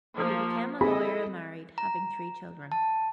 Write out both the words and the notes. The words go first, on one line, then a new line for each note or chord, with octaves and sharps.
He became a lawyer and married, having three children.
F3 A#3
C4 E4 G#4 A4 D#5 B5
A#5
A5